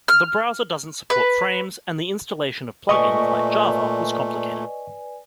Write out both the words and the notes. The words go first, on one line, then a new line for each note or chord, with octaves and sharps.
The browser doesn't support Frames and the installation of plugins like Java was complicated.
F6
B4
A#2 A3 B4 D5 D#5 G#5 C#6